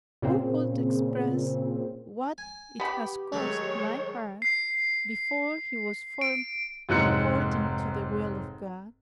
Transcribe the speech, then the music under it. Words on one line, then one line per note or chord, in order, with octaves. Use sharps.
Who could express what it has cost my heart before he was formed according to the will of God?
A#2 C#3 C4
G#5
B3 G4 B5
D#3 F#3 G#3 A3 C#5
C7
D7
F1 G#2 F#3 F#6 C#7